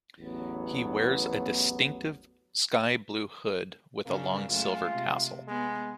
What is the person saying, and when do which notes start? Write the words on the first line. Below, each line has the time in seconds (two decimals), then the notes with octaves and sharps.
He wears a distinctive sky blue hood with a long silver tassel.
0.19 A1 E2 F#3 B3
4.06 C#3 F#3 A#3 D4
4.50 F#2 G#3 A3 F4
4.92 C3
5.48 G#3 B3